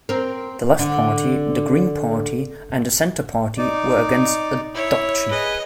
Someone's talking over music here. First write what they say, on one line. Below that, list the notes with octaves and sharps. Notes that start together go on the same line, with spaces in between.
The Left Party, the Green Party and the Centre Party were against adoption.
C4 A#4
D3
D#4 D5
E4 C#5
G#4 B4 D#5 B5